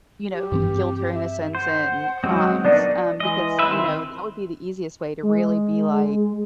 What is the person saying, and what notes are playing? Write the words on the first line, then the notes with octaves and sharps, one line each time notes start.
you know, guilt or innocence in crimes?" Um, because, you know, that would be the easiest way to really be like,
G4
G2 E3 C4
E5
C5 F#5
F#3 G#3 C4
B3 D4 D#4 A#4 D5
E3 G#3 D#5
B4 E5 F#5 B5
D#3 C4 E4 C6
G#3